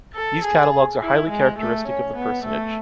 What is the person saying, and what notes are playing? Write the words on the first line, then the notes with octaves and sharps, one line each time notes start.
These catalogues are highly characteristic of the personage.
A4
G#4
E4
G#3
A3
C#4
B3
A3